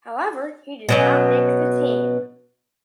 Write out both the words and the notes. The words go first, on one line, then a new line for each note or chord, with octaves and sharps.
However, he did not make the team.
B2 F#3 C#4